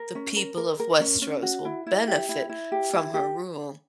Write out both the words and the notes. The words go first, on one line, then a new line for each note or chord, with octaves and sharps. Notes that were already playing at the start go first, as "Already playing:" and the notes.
the people of Westeros will benefit from her rule.
Already playing: A#4
C#4
A#4
A#4
A#4
C#4
C#4
F#4
E4
E4
G4
E4
E4
G4
E4
G4